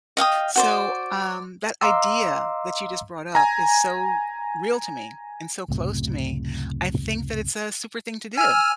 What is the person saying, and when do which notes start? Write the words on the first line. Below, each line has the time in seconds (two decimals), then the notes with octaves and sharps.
So, um, that idea that you just brought up is so real to me and so close to me. I think that it's a super thing to do.
0.17 D#5 F5 G5 D#6
0.56 F#4 C5 D5
1.81 D#5 F5 A#5 C6 D6 E6
3.35 G#5 A#5
5.68 C#2 F#2 A2 C3
8.38 G#5 E6 F6